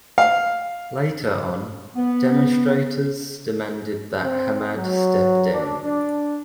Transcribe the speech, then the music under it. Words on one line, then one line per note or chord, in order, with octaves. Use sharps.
Later on, demonstrators demanded that Hamad step down.
F5
B3
C4
F#3
D4
D4